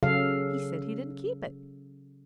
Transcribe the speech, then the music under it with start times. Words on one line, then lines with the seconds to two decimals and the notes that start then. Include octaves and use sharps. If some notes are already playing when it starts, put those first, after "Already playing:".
He said he didn't keep it.
0.03 C#3 F#3 A4 F5